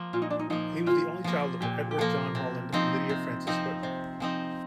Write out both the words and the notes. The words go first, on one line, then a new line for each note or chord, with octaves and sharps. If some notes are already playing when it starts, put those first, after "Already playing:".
He was the only child of Edward John Holland and Lydia Frances Hood.
Already playing: F3 A#3
A#2 F4
D#4
D4
D#4
F3 A#3 D#4
A#2 F4
F3 A#3
A#2 G4
G4
F3 A#3 A4
C3
F3 C4 D#4
C3
F3 C4 D#4
C3 C5
F3 C4 D#4